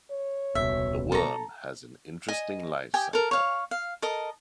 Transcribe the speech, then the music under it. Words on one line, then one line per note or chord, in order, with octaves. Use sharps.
The worm has an interesting lifecycle.
C#5
D#1 C2 B2 E5
A4 A#5
D#5 G#5
G4 G5 G#5 D#6
A4 A#4
C#5 F5
F5
A4 A#4 D#5